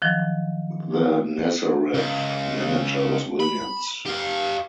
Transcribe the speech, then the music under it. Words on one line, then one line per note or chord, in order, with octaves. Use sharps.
The Nazareth manager was Williams.
D#3 F3 F#3
C#2
B5
G4 F5